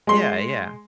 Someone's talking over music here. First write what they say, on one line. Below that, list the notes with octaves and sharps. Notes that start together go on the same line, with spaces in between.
Yeah, yeah.
G#3 C6